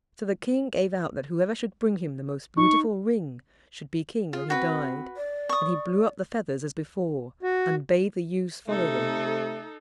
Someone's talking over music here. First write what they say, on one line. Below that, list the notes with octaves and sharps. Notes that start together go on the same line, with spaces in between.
So the King gave out that whoever should bring him the most beautiful ring should be King when he died, and he blew up the feathers as before, and bade the youths follow them.
D#4 C#6
F4 G#4
C4 F#4 B4
D5
C#6 D#6
F#4
C3 A3 D#4 A4